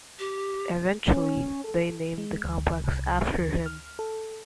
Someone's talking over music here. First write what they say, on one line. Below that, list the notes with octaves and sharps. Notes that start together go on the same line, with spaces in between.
Eventually, they named the complex after him.
G4
C#4
A4
G#3
D2
C2
D2
F6
A4